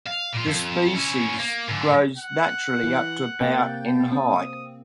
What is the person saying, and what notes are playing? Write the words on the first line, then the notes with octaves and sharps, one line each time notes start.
The species grows naturally up to about in height.
F5
A#2 F4
F2
C#4 E4
A#3
G#2 D3
F#5
E3
C3 A#3 G5 G6 A6
C4 D#6